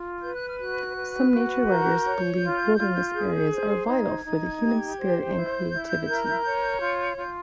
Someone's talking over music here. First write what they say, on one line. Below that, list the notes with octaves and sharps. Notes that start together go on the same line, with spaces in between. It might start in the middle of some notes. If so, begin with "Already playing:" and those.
Some nature writers believe wilderness areas are vital for the human spirit and creativity.
Already playing: F4
B4 G6
F#6
F6
F#4 F#6
B4
F#4
A#4 G6
C#5
F4
F4
G#4
C5
D#4 G#6
D#4
G4
C5
E4 G6
E4
A#4
C#5
F4
F4